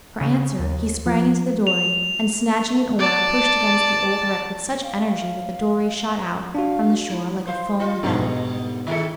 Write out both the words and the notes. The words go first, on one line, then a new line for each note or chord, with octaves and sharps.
For answer he sprang into the dory and, snatching an oar, pushed against the old wreck with such energy that the dory shot out from the shore like a foam bell.
C#3
D#2
F3
F7
D5 A5
F5
D4 F#4 F5
E4
C5 F5
F4 D#5
G#2 B2 G3 B3 D4
D#3 G#3 A4 E5